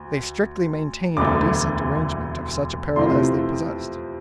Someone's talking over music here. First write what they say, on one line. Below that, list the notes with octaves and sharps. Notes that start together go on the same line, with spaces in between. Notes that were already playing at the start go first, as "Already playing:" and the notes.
They strictly maintained a decent arrangement of such apparel as they possessed.
Already playing: D2
E1 D2 D3 A3 D6
F2 C3 E3 A3 C6